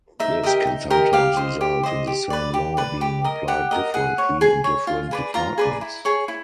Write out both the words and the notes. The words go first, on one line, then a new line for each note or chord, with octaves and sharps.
This can sometimes result in the same law being applied differently in different departments.
D#4 E5
G4 A#4 D#5
D#4
G4 A#4 D#5
G4 F5
C5 D#5
G4
C5 D#5
G4
B4 D5
G4
B4 D5
G4
A#4 D#5
G4 F#5
A#4 D#5
G#4 F#5
C#5
G#4 G#5
C#5
F4
G#4 B4 D5
F4 A#5
G#4 B4 D5
E4
G#4 C#5
E4